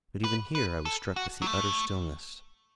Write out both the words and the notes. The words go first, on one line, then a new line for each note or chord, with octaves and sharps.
But even here I was struck with the utter stillness.
B4
B4
A4
F#4
F#3
A3